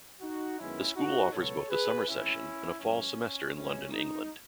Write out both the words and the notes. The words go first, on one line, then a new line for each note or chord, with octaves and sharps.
The school offers both a summer session and a fall semester in London, England.
D#4 F#4
F#2 D#3 G#3 B3 C#4 E4
D#4 F#4
C#2 B2 F#3 B3 A4 C#5
G#4 B4
G#1 G#2 E3 C#4 E4
F#2 E3 G#3 C#4
G#1 F#2 E3 G#3 C#4
D#4